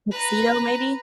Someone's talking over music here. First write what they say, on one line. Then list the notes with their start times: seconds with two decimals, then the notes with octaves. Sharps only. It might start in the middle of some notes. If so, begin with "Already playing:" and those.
Tuxedo, maybe?
0.11 B4 A#5